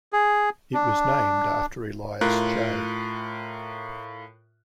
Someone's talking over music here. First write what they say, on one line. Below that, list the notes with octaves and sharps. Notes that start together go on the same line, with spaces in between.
It was named after Elias J.
G#4
D4
A2 F4 A#4 F#6